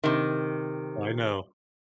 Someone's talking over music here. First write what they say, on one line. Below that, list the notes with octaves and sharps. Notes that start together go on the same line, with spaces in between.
I know.
C3 D#3